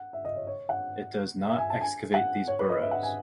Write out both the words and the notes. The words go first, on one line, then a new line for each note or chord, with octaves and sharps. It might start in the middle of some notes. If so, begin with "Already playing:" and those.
It does not excavate these burrows.
Already playing: F#5
E5
D#5
C#5
C#5
F#5
E5
G#5
A5
G#5
F#5
C#5
B4
D#5
E5
F#5
G#5